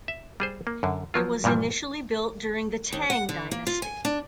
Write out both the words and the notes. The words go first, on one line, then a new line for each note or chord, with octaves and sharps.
It was initially built during the Tang dynasty.
E5
G3 G#4 C5
A#3
F#2 D3
F3 F#3 F4
G2 A#2 E3 F3 G3
D#2
F#5
D3
A#3
F4
G#5
D4